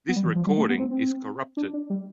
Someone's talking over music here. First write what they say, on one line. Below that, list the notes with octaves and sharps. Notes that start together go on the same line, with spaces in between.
This recording is corrupted.
B3
G3
E3
F3
G3
A3
B3
C4
C4
D4
D4
G3